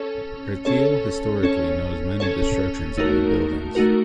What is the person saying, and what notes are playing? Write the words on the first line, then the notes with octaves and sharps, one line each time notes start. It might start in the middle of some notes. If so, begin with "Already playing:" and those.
Breteuil historically knows many destructions and re-buildings.
Already playing: C#4 A4 C#5
C#4 A4 C#5
C#4 A4 C#5
C#4 A4 C#5
A3 D#4 F#4 A#4
A3 D#4 F#4 A#4